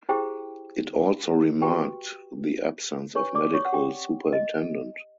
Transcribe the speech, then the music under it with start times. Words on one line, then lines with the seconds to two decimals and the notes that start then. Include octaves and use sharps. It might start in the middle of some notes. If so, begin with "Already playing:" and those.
It also remarked the absence of medical superintendent.
0.09 E4 G4 G#4 C5 G5
1.62 F#4 G4 B4 G5
3.15 D4 G4 B4 C#5 C#6
3.35 D5 D6
3.54 C#5 C#6
3.65 F#5
3.73 G4 G5
4.33 D#5